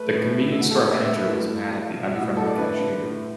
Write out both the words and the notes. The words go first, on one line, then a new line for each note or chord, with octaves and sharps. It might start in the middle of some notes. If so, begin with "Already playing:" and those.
The convenience store manager was mad at the unfriendly cashier.
Already playing: A3 B4
A2
A3
E4
A3 F#4
A4
A3 B4
E5
D3 E5
B4
A3 E4
A3
F#3
B2
F#4
A2 E4
F#4
A2 A4
D5
D3 B4
D3
A2